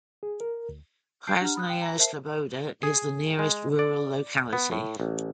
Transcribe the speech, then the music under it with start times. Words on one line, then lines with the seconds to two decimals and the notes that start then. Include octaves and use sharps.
Krasnaya Sloboda is the nearest rural locality.
0.23 G#4
0.40 A#4
0.69 D2
1.27 A5 G6 C7 D7
1.41 D4 G4 F#5 A#5 F6
1.55 B5 D#6 F#6
1.69 G5 E7
1.82 A#5 A#6
1.97 A#4 C5 E5 A5 C7
2.83 G#4
3.39 G#3
3.79 D5
4.53 B3
4.72 A2
5.00 A1